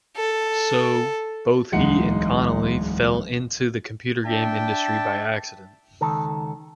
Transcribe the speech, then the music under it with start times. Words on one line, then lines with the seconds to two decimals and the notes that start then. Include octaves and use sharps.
So, both he and Connelley, "fell into" the computer game industry by accident.
0.16 A4
1.72 D1 E2 G#3 D#4 F#5 C#7
4.26 D4 E5 G5 A5
6.01 C#2 D#3 A4